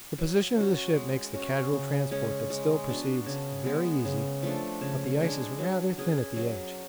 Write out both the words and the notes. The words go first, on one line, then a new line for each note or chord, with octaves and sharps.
The position of the ship makes the casual transport that still proceeds very easy, but the ice is rather thin at the edge.
F#3
C#4 F#4
G#3
C#4 F#4
C#3
G#3 C#4
G#3
B3 D4 F#4
C#3
G#3 B3
C#3
F3 A3 D4
C#3
G#3 D4 G#4
F#3
C#4 G#4 B4
F#3